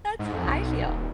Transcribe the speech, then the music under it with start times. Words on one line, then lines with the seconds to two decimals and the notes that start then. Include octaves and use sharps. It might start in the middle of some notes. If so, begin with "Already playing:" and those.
That's how I feel.
0.19 G#2
0.32 F2
0.45 B1
0.84 D#1